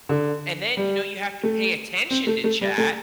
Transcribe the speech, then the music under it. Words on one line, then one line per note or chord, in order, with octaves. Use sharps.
and then, you know, you have to pay attention to chat,
D3
G3
A3
C4
A3
A3
G3
A3